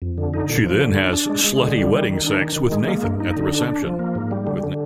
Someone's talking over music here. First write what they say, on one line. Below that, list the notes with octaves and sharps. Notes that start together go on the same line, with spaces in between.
She then has "slutty wedding sex" with Nathan at the reception.
F2
D3
D#4
A#2
F3
D3
D4
D4
G#3
G#3
D3
G3
D#3
D#3
D4
D#3
D#3
G#3
A#3
G2
D#4
D3
D4
D4
F3
A#3
G#2
G3
D3
D3